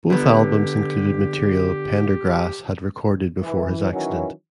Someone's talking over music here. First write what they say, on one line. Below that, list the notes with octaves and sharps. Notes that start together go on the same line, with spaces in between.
Both albums included material Pendergrass had recorded before his accident.
D3 B3 G4
E3
D#3 E3 F#3 C#4